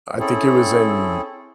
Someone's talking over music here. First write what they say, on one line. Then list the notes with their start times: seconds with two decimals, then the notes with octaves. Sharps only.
I think it was in
0.20 C4 C#4 E4 G#4 A4